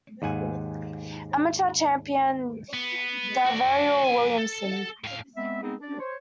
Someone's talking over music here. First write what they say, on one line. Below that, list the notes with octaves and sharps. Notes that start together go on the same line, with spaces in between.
Amateur Champion DaVarryl Williamson.
D#2 G#2 F#5 G#5
B3
F#4 D5
F3 G#5
A4
A2 F5
G#3 B3 C4 E5
G#3 B3 C4 D#4 G#4
D4 D5
C5 C#5